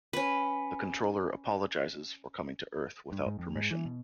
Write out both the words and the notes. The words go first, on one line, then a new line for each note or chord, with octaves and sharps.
The Controller apologizes for coming to Earth without permission.
C#4 B4
G2
G#2
F2
G#2
E3
B2